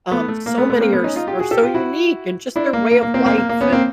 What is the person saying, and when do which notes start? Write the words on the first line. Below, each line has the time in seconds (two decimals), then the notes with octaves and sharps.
um, so many are s are so unique and just their way of life and,
0.11 A3 B3
0.28 A3
0.46 A#3
0.58 A3 B3
0.70 A3 B3
0.80 A#3 C4
0.93 A3 B3
1.04 C#4 D#4
1.16 D#4 F4
1.27 F4 G4
1.39 F#4 G#4
1.51 G4 A4
1.62 F4 G4
1.74 E4 F#4
2.56 D4 E4
2.73 A#3
2.91 A#3
3.03 A#3
3.14 A#3 C4
3.26 A#3 C4
3.38 A#3
3.49 A#3
3.61 B3 C#4
3.72 A#3 C4